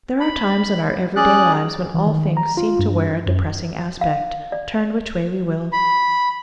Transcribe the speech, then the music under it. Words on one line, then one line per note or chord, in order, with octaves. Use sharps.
There are times in our every-day lives when all things seem to wear a depressing aspect, turn which way we will.
B5
C#4 G#4 D5 F#6
E3
D#3
A#5
F4
G2
F#2
F5
D5
B5